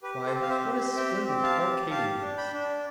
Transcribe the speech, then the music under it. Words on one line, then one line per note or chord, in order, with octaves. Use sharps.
Why, what a splendid tall Katy it is!
G4 B4
A4 C5
C4
F5
C5 E5
G4
C4 E5 G5
G4
F5 A5
G4
G4 F5 A5
D4
G5 B5
D4